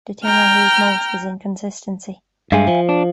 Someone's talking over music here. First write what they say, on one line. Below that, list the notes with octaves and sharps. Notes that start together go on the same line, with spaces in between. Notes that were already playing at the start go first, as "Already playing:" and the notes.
The thing I hate most is inconsistency.
G5 A#5 F6
G2 G#3 E5 F5 G#5
F3
D4